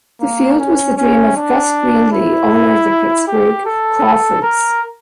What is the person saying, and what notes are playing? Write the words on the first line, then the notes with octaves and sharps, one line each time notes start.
The field was the dream of Gus Greenlee, owner of the Pittsburgh Crawfords.
A#3
C#4
C#4
D4
E4
G4
A4
A#4